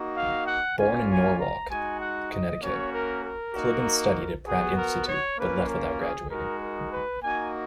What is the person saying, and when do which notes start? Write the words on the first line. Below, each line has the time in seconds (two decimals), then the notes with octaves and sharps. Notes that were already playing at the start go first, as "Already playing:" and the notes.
Born in Norwalk, Connecticut, Kliban studied at Pratt Institute but left without graduating.
Already playing: A#3 D#4 F#4
0.16 F5
0.47 F#5
0.78 A#3 C#4 F4 G#5
1.09 G#5
1.39 A#5
1.70 G#3 D#4 F#4 G#5
2.00 F#5
2.32 D#5
2.62 A#3 C#4 F#4 C#5
2.93 A#4
3.24 A#4
3.54 A#3 D#4 F#4
4.46 B3 F#4 G#4
4.77 A#4
5.08 C#5
5.38 A#3 C#4 F4 B4
5.69 A#4
6.00 G#4
6.31 G#3 D#4 F#4 A#4
6.61 A#4
6.92 B4
7.23 A#3 D#4 F#4 G#5